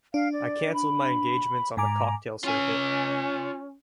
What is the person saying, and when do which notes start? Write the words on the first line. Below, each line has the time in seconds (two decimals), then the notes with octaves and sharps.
I cancelled my engagements on the cocktail circuit.
0.14 D4 F5
0.33 D5
0.74 B5
1.77 G#2 G#5 A#5 D6
2.44 C#4 F4 G#5